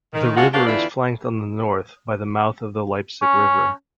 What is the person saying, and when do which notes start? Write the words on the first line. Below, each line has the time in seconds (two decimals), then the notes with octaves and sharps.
The river is flanked on the north by the mouth of the Leipsic River.
0.13 D#3
0.36 G#3 D4 F4 F#4
0.53 A#3 D4 F#4 G4 C5 F5
0.67 E2 D3 E3 E4 F4 D5
3.22 C#4